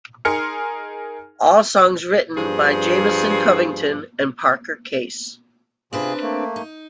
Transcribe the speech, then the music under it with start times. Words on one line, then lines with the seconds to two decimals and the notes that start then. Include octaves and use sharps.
All songs written by Jamison Covington and Parker Case.
0.25 D#4 G#4 A#4 C6 F6 C#7
2.36 G2 F3 G#4
5.93 C3 C4 D4 F4 G#4 B4
6.22 A3 A#3
6.56 D#4